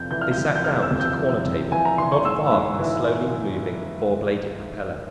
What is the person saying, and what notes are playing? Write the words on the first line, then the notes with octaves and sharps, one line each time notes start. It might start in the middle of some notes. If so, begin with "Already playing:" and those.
They sat down at a corner table not far from the slowly moving four-bladed propeller.
Already playing: F2 C3 G6
E3 G6
F6
G6
F2
G6
C3 F6
E6
F2
G6
E3
F2
E3 G#5
A#5
E3 C6
C#6
G#2 E6
G#2
E3